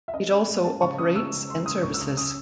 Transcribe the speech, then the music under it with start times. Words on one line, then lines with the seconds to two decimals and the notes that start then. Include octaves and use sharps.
It also operates and services.
0.08 E5
0.14 C#4 D#5
0.31 C#4
0.47 G#3
0.64 C#4 A5
0.82 C#3 C#6
0.98 C#3 D#6
1.16 G#3 E6
1.33 C#3
1.50 G#3 C6
1.66 C#3 D#6
1.83 C#2 C#6
1.94 E6
2.00 C#3 D#6
2.17 C#4 D#6